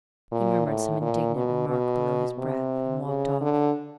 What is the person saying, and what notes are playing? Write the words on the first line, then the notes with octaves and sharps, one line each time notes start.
He murmured some indignant remark below his breath, and walked off.
A#2
A2
A#2
B2
B2
C3
C#3
D3